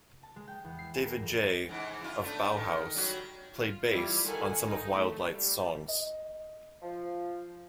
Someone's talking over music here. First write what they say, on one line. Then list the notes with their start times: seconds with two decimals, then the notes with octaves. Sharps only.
David J. of Bauhaus played bass on some of Wild Light's songs.
0.23 A5
0.36 G#3
0.48 G5
0.64 E2
0.78 C7
0.94 G#4
1.06 A#4
1.22 F2
1.69 G#2 E3
2.01 E4 F4
2.22 A3 B3 D4
2.55 D#3
2.95 F#3 G3 F#4
3.55 F4
3.90 E3 G3 E4 F4
4.27 D#3 A4 F#5 G#5
4.65 D#4
4.97 A3
5.35 G3
5.88 D#5
6.82 F3